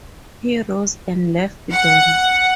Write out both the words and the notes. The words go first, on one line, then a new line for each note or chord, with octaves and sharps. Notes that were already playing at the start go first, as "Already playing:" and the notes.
He rose and left them.
F#5